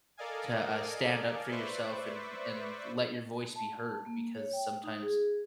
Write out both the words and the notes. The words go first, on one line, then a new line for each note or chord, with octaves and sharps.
to, uh, stand up for yourself and and let your voice be heard, because sometimes
A4 A#4 D5 D#5 F5 G#5
B4 C5 D5 E5 C#6
A5
A#3
C#5
G5
D#4
G#4